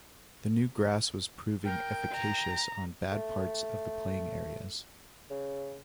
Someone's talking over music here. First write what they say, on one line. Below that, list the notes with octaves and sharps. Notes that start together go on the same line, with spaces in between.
The new grass was proving efficacious on bad parts of the playing areas.
A#4 G5
A#5
A3
C#3